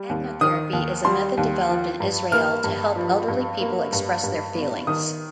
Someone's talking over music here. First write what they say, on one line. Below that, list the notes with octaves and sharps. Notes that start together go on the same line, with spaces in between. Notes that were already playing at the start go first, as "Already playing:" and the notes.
Agnotherapy is a method developed in Israel to help elderly people express their feelings.
Already playing: G3
D#2
D#3 D#6
D#2
G3 C6
D#2
F3
G2
A#3 F6
G2
F3
G2
A#3
G2
G2
G1
D#3 D#6